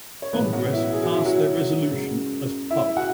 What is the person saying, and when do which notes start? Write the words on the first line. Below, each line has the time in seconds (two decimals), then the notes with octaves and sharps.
Congress passed their resolution as Pub.
0.22 C#5
0.33 B1 A2 E3 G#3 B3 B4
0.53 F#3 F#4
0.73 E4
0.92 G#4
1.03 F#4
1.14 E4
1.25 F#3 F#4
1.91 F#1 F#2 C#3 G#3
2.70 E4 E5
2.97 F#4 F#5